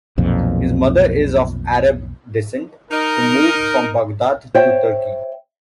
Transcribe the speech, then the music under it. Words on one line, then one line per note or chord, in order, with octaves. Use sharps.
His mother is of Arab descent who moved from Baghdad to Turkey.
B1 F2 A#2
D#4 A#4
C5 C#5 E5 G5